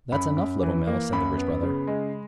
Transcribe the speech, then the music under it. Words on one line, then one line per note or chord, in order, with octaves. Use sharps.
"That's enough, Little Mill," said the Rich Brother.
F#2 B5
F#2
E3
A#3
F#2 B5
B3
C#3
G#3